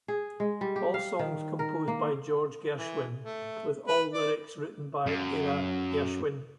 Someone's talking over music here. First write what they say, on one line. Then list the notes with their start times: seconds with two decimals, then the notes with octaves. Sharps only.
All songs composed by George Gershwin, with all lyrics written by Ira Gershwin.
0.08 G#4
0.40 G#3
0.61 G3
0.76 G4
0.94 F5
1.19 D#3
1.59 A#4
1.88 A#3
2.78 E3
3.24 A3
3.88 B4
4.14 D5
5.07 F#2